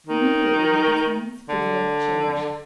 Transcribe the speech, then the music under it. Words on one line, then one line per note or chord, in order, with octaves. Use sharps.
Immediately the king's figure changed.
D#3
D3